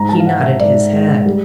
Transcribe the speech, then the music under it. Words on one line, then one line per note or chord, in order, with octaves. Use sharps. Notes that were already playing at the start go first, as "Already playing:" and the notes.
He nodded his head.
Already playing: G#2 A#5
A5
F5
G#2 F#5
E5
G#2 D5
G#3
G3